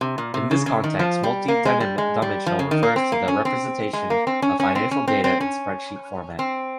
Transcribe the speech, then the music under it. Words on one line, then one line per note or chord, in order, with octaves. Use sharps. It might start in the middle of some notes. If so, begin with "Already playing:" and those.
In this context, "multi-dimensional" refers to the representation of financial data in spreadsheet format.
C3
A#2
C3
C#3
C#3
D#3
F3
G3
A#3
G#3
G3
G#3
G3
F3
C#3
D#3
A#3
C4
A#3
C#4
C4
G#3
A#3
C4
C#4
C#4
C4
C#4
C4
C4
C#4
C4